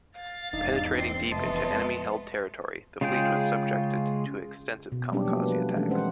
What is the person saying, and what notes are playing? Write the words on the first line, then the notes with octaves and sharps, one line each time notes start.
Penetrating deep into enemy-held territory, the fleet was subjected to extensive kamikaze attacks.
F5 A6
D#1 E2 G#2 D4 D#4
C4 C7
F1 E3 A3 B3 D#5 A5 C6
F2 G#3
C#3 G#3 F4 G#4 G5
B2
F#3 G3 B3 C#4 D4 G4
F3 A3 A#3
B4
E3 G#3 A3 C#4 D4 A4
G#3 C4 C#4 B4 C5 F#5